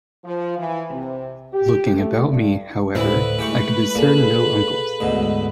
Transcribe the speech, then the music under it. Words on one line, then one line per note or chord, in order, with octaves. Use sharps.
Looking about me, however, I could discern no uncles.
F3
E3
C3
G4
A3
G2
D2 A2 E3 E4 B4 C5
E3 G#3 A3 G4 C#6
A#2 A#3 G#4 A4
D2 G#2 B2